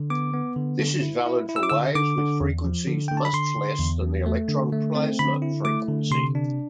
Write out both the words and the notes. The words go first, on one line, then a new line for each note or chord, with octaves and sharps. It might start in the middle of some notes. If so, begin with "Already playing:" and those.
This is valid for waves with frequencies much less than the electron plasma frequency.
Already playing: D3
B3 D6
B3
D3
D3
E4
E4
E4
E6
D6
D3 E6
D3 D6
D3
E2
F3
D3
D3 G5
A5
B5
D3 C6
D3
E2
E2
A3
D3
A3
C4
D3 B5
E4
A3 D6
D3
C3 C6
D4